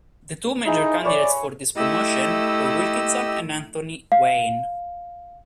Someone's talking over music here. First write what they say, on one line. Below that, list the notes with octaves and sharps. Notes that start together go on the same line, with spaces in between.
The two major candidates for this promotion were Wilkinson and Anthony Wayne.
D#4 E4 G#4
B4 C#5 D5 G#5
A3 E4 G4 D#5 E6
F5